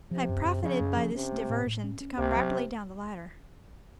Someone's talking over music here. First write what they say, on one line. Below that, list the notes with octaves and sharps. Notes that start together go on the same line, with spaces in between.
I profited by this diversion to come rapidly down the ladder.
C3 F3
F#2
F#2
C#3 F3
F#2
F3
C3 C#4
A3
A2
A2
C#4
C#4
C#2 C3
F#3